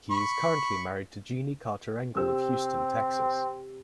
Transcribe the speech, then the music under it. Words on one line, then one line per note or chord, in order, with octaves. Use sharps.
He is currently married to Jeanie Carter Engle of Houston, Texas.
B5 C#6
C3 C4 E6